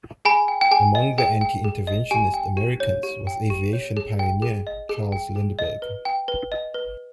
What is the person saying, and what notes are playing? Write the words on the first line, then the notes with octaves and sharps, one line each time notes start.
Among the anti-interventionist Americans was aviation pioneer Charles Lindbergh.
G#4 G#5 B5
G5
G5
G#4 G#5
D#5
G#4 G5
G5
G#4
D#5
G4 G#5
G5
G4
C#5
G4
G5
G4
C#5
G#4
G5
G#4
D#5
G#4
G5
G#4
D#5
B4
G5
B4
D#5
B4